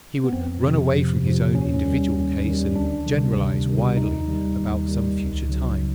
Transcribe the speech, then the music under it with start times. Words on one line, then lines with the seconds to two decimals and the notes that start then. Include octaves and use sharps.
He would run away from his own individual case, and generalise widely about some future time.
0.24 B3
0.33 F2 C4
0.63 C3 F3
0.93 F2
1.24 C3 F3
1.54 D#2 C#4
1.85 D#3 G3
2.15 D#2
2.45 D#3 G3
2.75 D2 D4
3.06 C3 D#3 G3
3.36 D2
3.67 C3 D#3 G3
3.97 D#2 D#4
4.28 D#3 G3
4.59 D#2
4.88 D#3 G3
5.19 C#2
5.49 C#3 F#3